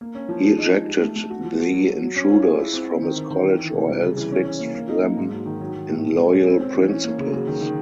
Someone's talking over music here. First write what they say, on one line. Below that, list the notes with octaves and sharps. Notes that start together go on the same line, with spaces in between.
He ejected the intruders from his college or else fixed them in loyal principles.
A#3
C#4
F3
G#4
D#4
G#3
G4
A3
A3
F#4
F3
F#4
F#3
F#3
F#3
C#4
F4
G#4
E4
C4
C4
D#3
D#3
D#3
E3
E3
C3
G3
C#3
E3
C#4
C#4
A#3
A#3
D#4
A#3
G#2
F#3
D#3
F#3
F#3
A2
B2
G#3
C#4
C4
C4
E3
C#4
A#3
C#3
F#3
D#3
D#3